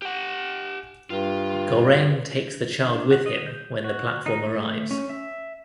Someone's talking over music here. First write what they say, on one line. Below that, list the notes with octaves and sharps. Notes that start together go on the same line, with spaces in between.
Goreng takes the child with him when the platform arrives.
G4 F#5
G2 F4
D4
F#4
D#5
G6
F#4
D#4
A3
C#4
E5